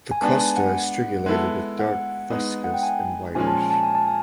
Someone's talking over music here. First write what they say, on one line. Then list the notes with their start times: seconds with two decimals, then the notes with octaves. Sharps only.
The costa is strigulated with dark fuscous and whitish.
0.11 G#5
0.22 G#3 B3 D4 A5
0.40 G#5
0.57 F#5
1.26 G#3 B3 E4 A4
1.79 F#5
2.30 G#3 B3 D#4
2.64 F#5
2.74 G5
2.83 G#5
3.35 A#2 F3 G#3 C#4 G#5
3.47 A5
3.59 G#5
3.71 A5
3.83 G#5
3.95 A5
4.08 G#5